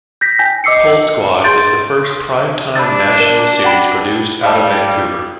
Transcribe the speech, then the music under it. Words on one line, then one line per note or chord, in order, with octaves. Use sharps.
"Cold Squad" is the first prime time national series produced out of Vancouver.
G6 A#6 B6
G5 G#5 G6
D#5 D6 E6 C7 C#7
G#4 C6 G6 A6 D7
D4 B5 E6 A6
A#4 E7
F#5 G5 B5
G3 F5 G5 A5